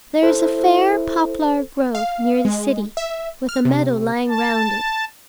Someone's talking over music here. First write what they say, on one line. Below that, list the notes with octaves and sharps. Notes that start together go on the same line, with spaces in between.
There is a fair poplar grove near the city, with a meadow lying round it.
E4 A4 C5
F5
G#3
E5
F6
C3
A5